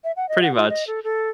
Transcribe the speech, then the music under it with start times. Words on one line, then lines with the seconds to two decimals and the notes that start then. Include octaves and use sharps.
Pretty much.
0.04 E5
0.16 F#5
0.29 D#5
0.42 F#5
0.54 F4
0.69 D#5
0.87 A4
1.04 A4